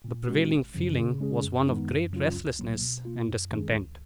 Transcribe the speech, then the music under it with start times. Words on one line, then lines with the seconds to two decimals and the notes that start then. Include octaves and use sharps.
The prevailing feeling was one of great restlessness and discontent.
0.04 A#2
0.27 G#3 C#4 F#4
0.51 G#1
0.74 F#2 C#3 F3
0.98 C#3
1.20 G#3 C#4 G#4
1.43 F#2
1.66 D#3 G#3 B3 D#4
1.89 F#2
2.12 C#3 F#3 C#4 F4
2.36 C#2
2.59 B2 F#3 A#3
2.81 B2
3.05 A#3 F4
3.28 F#2
3.51 D#3 G#3 C#4 G#4
3.73 C#2